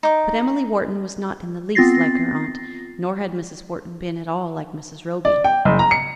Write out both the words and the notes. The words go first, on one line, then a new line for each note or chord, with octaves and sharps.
But Emily Wharton was not in the least like her aunt, nor had Mrs. Wharton been at all like Mrs. Roby.
D#4 D6
B3 C4 F4 A6 A#6 C7
D5
G5
F#1
A#5
C#7